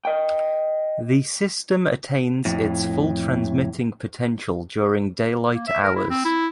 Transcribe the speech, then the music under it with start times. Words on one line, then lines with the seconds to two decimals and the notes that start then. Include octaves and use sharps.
The system attains its full transmitting potential during daylight hours.
0.05 D#5 G5
2.45 F2 A2
5.53 A#3
5.68 E5
5.84 A#4
5.96 E4
6.10 C4
6.25 E4